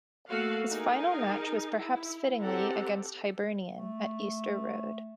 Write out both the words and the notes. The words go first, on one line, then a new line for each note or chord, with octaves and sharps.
His final match was perhaps fittingly against Hibernian at Easter Road.
A3 A#3 F#4 A4 F5 F#5
D#4 G#4 A#4
E4
C4 G4 A4 F#5 A#5
A3